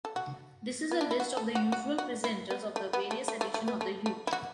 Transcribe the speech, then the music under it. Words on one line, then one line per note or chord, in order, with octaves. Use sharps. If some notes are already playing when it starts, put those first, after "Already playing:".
This is a list of the usual presenters of the various edition of the Heute.
A4
F#4
B3
D4
E4
F#4
A4
F#4
F#4
F#4
E4
B3
A3
B3
A3
A3
A3
A3
B3
A3
A3
E4
F#4